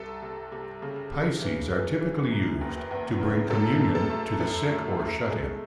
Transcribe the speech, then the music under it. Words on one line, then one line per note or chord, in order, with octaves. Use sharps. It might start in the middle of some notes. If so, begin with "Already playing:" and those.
Pyxes are typically used to bring communion to the sick or shut-in.
Already playing: C2 A4
C3
C3
C#3
C#3
E3
E3
E3
F#2
F#1
E2
C#3
F#2 A4
F#2
A4
A3
F#2 A4
A3
A3
G#3